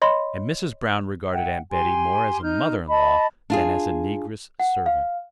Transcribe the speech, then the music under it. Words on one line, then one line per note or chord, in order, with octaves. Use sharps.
And Mrs. Brown regarded Aunt Betty more as a mother-in-law than as a negress servant.
C#5 D#5 B5 C6
E5 F#5 G5
G4 G#5 C6
D#4 F6 G6
D#5 A5 B5
D4 F4 G#4
F#5
F5